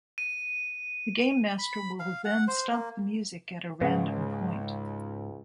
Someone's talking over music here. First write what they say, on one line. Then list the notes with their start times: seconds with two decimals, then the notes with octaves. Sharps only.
The game master will then stop the music at a random point.
0.18 D#7
1.59 B5
2.00 F5
2.25 F#5
2.48 C5
2.72 A#3
3.81 C#2 G#2 C#3 B4 F#5